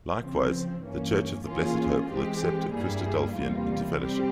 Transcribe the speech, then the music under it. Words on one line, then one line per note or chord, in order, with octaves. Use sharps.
Likewise, the Church of the Blessed Hope will accept a Christadelphian into fellowship.
C#3 F3 C4
G2 E3 A#3 C#4
E3 A#3 C#4 F4 G#4
E3 G#3 C4 G4
G2 G3 A#3 E4 G#4
E2 C3 G3 A#3 F4
C3 G3 C4 G4